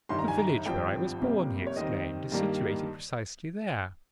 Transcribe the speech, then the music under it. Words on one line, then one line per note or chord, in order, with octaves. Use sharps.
'The village where I was born,' he exclaimed, 'is situated precisely there.
G1 G2 D#3 C6
A#5
G#5
A#5
G#1 G2 F3 C4 G5
G1 F2 C3 G3 A#3
C#5
D#2 D#3 G3 C4 D#5
G2 D#3 G3 A#3